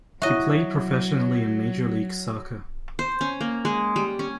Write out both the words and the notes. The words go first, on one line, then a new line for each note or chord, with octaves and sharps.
He played professionally in Major League Soccer.
F#3 E4 F#4 C#5 D#5 E5
C5
C#4
A#3
G#3
G3
C#4